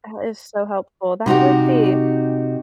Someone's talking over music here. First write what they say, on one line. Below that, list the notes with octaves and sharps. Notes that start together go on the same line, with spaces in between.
That is so helpful. That would be.
C3 D#4 F#4 G4